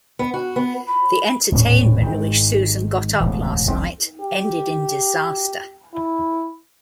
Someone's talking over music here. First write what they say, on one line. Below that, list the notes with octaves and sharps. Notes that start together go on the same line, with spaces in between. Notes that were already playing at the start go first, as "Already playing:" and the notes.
The entertainment which Susan got up last night ended in disaster.
B3
F#4
B3
B5
D#1 A2 C#4
G#1 G#2 D#3
E1 A1 D2 A3
F1 C2 B2 C4
G4
E4